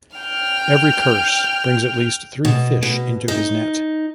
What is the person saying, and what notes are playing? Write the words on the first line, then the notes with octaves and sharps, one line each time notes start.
Every curse brings at least three fish into his net.
G5 F6
B2
B2
D#4